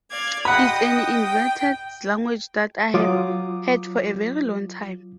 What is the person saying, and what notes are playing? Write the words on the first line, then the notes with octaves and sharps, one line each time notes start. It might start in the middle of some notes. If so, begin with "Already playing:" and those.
It's an invented language that I've had for a very long time.
D5 F5 G#6
D#5 F#5 G5 B5 D#6
G5
F#3 F4 D6 D#6